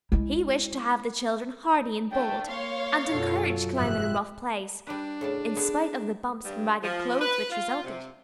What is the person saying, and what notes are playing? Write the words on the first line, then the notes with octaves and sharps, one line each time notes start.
He wished to have the children hardy and bold, and encouraged climbing and rough plays, in spite of the bumps and ragged clothes which resulted.
G#3 E4
A3 D4 G5
A#3 C#5 F5 C6
F#2 B2 F#3 F4 A4
F1 F2 G#2 G4 E5 F#6
G3 D4 B4
A2 C#3 A5
A3 B3 G#4
G2
F3
B4
F4
C3